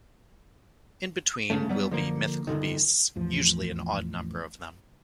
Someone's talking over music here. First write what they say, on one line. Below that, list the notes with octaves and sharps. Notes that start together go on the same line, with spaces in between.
In between will be mythical beasts, usually an odd number of them.
G1 C#3 A3
F#3 G3 B3
D3 F3 A#3
G1 B2 D3 D#3
A1 E2 F3